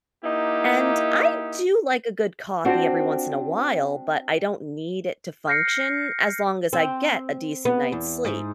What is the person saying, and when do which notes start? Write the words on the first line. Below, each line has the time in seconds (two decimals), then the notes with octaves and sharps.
and, I do like a good coffee every once in a while, but I don't need it to function, as long as I get a decent night's sleep.
0.24 A#3 D#4 E4 G4
2.65 C4 D4 F4 F#4 C5 D5
5.47 F6 G6 A#6 C7 C#7
6.73 C4
7.65 B3
7.92 E2
8.25 G#2